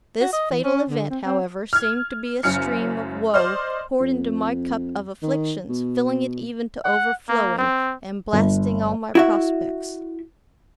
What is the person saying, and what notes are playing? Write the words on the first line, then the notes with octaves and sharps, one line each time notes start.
This fatal event, however, seemed to be a stream of woe poured into my cup of afflictions, filling it even to overflowing, and blasting all my prospects.
F#4
D#5
E3
C#4
D3
C4
C4
F6 G#6
F#1 F#2 C#4 F6 C#7
C5 D5 D#5 C6 F6
F2
D#3
B2
F#5
A#3
C4
G1
E4 F#4 E5